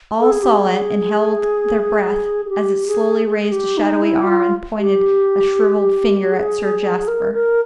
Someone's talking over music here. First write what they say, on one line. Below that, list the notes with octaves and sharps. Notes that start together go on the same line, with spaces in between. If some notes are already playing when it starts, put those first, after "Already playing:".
All saw it and held their breath as it slowly raised a shadowy arm and pointed a shriveled finger at Sir Jasper.
A4
G#4
G4
G#4
G#4
G4
G#4
G#4
G4
D#4
E4
F#4
F4
G4
G#4
A#4
A#4